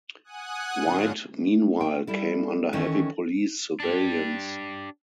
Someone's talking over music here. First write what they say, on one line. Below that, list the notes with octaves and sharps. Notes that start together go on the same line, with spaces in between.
White meanwhile came under heavy police surveillance.
F#5 G#5 D#6 F#6
G#2 D3 F#3 F4
G5
G3 E4 A4
D#3 E3 C#4 E4 A4 C#5
D4 G4